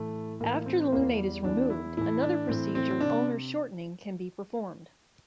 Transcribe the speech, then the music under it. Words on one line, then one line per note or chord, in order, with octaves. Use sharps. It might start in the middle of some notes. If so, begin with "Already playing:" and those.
After the lunate is removed, another procedure, "ulnar shortening" can be performed.
Already playing: A2 E3 A3
A2 E3 A#3
C4
E2 E3 A#3
G3
E2 E3 D4
E4
A2 E3 E4
D4
A2 E3 C4
C4
C3 D4